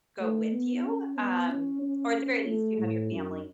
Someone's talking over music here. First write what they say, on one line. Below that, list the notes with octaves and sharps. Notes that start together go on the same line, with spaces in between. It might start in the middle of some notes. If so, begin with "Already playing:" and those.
go with you, um, or at the very least, you have your family,
A3
B3
C#4
B3
C#4
C#4
A3
A2
F#2